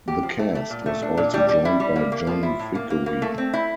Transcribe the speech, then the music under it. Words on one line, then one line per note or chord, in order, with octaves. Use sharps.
The cast was also joined by John Vickery.
G4
F3
A3
A3
A#2
A3
D4
A#2
G3
G3
E4
G3
A#3
A#3
F3
E4
A2
A#3
A#3
A#3
A3
C4
E4